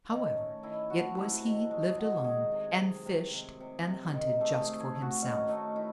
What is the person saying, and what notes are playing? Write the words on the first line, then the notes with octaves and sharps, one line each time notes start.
However it was he lived alone, and fished and hunted just for himself.
D#3
C#4
A3
D#3 E4
A3 F#4
C3 E4
D#3
G#3
G#4
D#3 F#4
D#3 G#4
C3
C3
C3
C3
C3
C3
D#3
A3 G#4
G#4
A3
G#4
A3
F#4
D#3 C#4
A3 D#4
D#3 E4